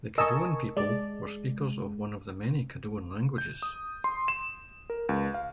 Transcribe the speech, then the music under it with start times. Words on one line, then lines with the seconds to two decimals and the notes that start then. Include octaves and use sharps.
The Caddoan people were speakers of one of the many Caddoan languages.
0.18 A#4 D#5 G#5 A5 C#6 E6
0.77 G#3 D5
3.38 G6
3.62 D#6
4.04 C6
4.28 E7
4.90 A#4
5.09 C#2
5.34 F5